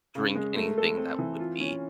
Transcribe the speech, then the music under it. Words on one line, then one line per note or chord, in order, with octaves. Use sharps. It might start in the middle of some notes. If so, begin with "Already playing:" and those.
drink anything that would be
C#3
G#3
A3
A4
C4
E3
F4
C#4